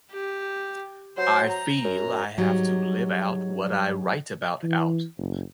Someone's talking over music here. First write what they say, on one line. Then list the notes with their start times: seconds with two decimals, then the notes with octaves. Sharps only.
I feel I have to live out what I write about out.
0.12 G4
1.18 F#3 C5
1.49 A#5
1.84 F#2
2.38 G#2 F#3 G3
4.63 E3
5.18 F#1